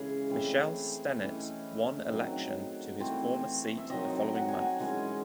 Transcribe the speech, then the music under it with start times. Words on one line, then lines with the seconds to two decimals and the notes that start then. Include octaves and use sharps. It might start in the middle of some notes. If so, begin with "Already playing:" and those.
Michelle Stennett won election to his former seat the following month.
Already playing: C#3 E3 G#3 C#4 G#4
0.30 E3 A3 C4
1.20 E3 A3 C#4 D#5
2.10 D#3 F#3 C4
3.00 E3 A3 C4
3.78 E5
3.90 D#3 F#3 C4 D#5
4.35 F#5
4.48 G#5
4.61 F#5
4.80 E3 G#3 C#4 G#5